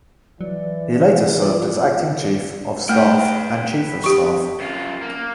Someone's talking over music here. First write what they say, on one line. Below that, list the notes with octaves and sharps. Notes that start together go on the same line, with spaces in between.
He later served as acting chief of staff and chief of staff.
E3 F#3 D5
F4 D5
A3 B4 G5
G4 C#6
F#2 F4
A#3